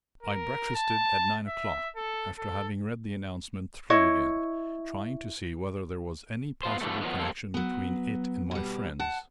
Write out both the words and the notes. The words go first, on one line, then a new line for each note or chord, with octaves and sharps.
I breakfasted at nine o'clock, after having read the announcement through again, trying to see whether there was any possible connection between it and my friends.
A#4
A5
E5
A4
A4
E4 C#5 D#5
B3 F4 C5
G2 B2 D3 E3 G3 A3
D3 D#3 F3 F#3 B3
G3 A#3 C4 A4
F#3 B3
B2 G3
F#5 A5